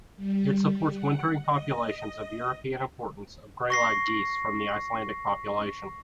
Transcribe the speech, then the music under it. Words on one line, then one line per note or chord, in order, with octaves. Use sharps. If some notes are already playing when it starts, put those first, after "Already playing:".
It supports wintering populations of European importance of greylag geese from the Icelandic population.
G3
F#5
D#5
C#6 A#6 C7